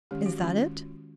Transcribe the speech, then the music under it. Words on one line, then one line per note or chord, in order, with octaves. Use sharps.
Is that it?
D#3 G#3 C#4 G4
F#4
D#3 G#3 C#4 F4